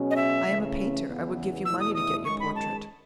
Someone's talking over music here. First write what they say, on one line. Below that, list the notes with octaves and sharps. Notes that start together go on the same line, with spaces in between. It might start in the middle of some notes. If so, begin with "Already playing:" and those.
"I am a painter: I would give you money to get your portrait."
Already playing: B2 F#3 C#4 G#4
D#5
E5
C#3 E3 A3 C#4
E2 C#3 E3 B3
E2 B2 A3 E4 E6
D#6
D#6
F#2 D#3 G#3 C#6
B5
A5